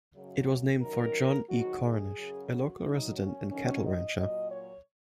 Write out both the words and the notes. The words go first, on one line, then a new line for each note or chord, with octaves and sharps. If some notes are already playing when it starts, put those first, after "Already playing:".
It was named for John E. Cornish, a local resident and cattle rancher.
F#2 C#3 F#3
F#2 D#3 F#3 A#4
G#2 D#3 F#3 F#4
G#4
F#2 C#3 F#3
F#4
F#2 F#3 D#4
C#4
F#2 D#3 F#3 C#4
D#5
A#2 F#3 D#5
C#5